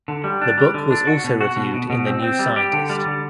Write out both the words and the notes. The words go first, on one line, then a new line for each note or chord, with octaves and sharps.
The book was also reviewed in the "New Scientist".
D3
G3
D4
G3
D3
D4
F#4
B2
F#4
B2
B2
B2
C4
C4
G3
G4
D3
G3
D3